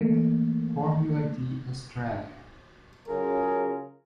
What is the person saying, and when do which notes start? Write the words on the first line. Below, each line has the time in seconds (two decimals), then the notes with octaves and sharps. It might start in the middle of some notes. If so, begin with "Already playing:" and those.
Formula D Australia.
0.01 E3 A3 A#3
3.08 C#3 F#3 C#4 F4 G#4 A#4